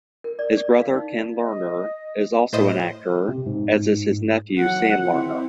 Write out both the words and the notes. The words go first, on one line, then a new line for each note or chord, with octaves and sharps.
His brother, Ken Lerner, is also an actor, as is his nephew, Sam Lerner.
A#4
D5
D5
F5
D#4
D#5
A2 C5 C#5 D#5
C3
G#2
F#3 F#5
C4 E4